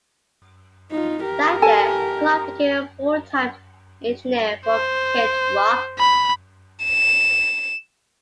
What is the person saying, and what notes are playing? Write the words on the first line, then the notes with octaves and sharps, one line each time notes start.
That year, Clark became a full-time engineer for Kid Rock.
D#4 F4
G4 A#4
A4 G#5 A5
C5
B5
E7